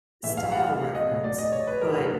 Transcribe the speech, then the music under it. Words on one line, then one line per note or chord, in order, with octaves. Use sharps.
style reference, but,
A2 E3 A3 E5
F5
F#5
F5
D#5
A2 F#3 A3
D5
D#5
C#5
B4
A#4
D3 F#3 A3 B4